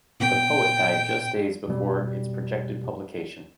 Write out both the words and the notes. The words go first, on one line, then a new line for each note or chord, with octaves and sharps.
The poet died just days before its projected publication.
A#2 B3 G5
F2 B2 G3